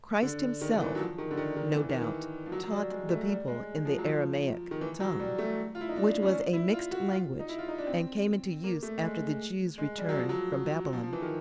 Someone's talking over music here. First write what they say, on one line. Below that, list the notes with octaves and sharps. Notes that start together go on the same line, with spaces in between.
Christ Himself no doubt taught the people in the Aramaic tongue, which was a mixed language, and came into use after the Jews' return from Babylon.
D3
D#3
D#3
E3
F#3
F3
D#3
D3
D#3
D#3
E3
D#3
E3
F3
F#3
F#3
G3
G#3
A3
G3
G#3
F3
F#3
F3
D#3
E3
F#3
G3
A3
F4
E4
D#4
D4
C#4
D4
E4
F4
F#4
F4
D#4
E4
F4
D#4
D4
C4
A#3
A3
G#3
G#3
G3
F#3
F3
F#3
F3
F3
E3
D#3